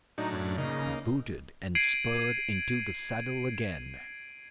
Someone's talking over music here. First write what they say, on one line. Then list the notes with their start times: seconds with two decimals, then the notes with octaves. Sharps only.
Booted and spurred, into the saddle again!
0.18 A2 F#3 D4 D#4
0.33 F#2
0.58 C#3 A#3 D#4
1.75 G#6 C7 D7 D#7 F#7